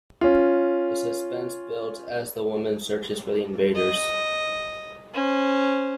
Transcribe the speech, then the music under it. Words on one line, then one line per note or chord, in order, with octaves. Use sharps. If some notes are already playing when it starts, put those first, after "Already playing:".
The suspense builds as the woman searches for the invaders.
C#4 F4
D#5
C#4 C5